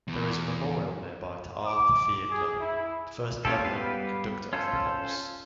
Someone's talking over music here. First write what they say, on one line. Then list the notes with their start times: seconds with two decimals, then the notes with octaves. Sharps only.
There is a memorial nearby to Arthur Fiedler, first permanent conductor of the Pops.
0.08 E2
1.64 D6
2.31 G#4
2.60 E4
3.45 A#3 C#4 F4 G4 A4
3.65 G3 B3 G4 B4 F5
4.53 C#4 F4 A4 C5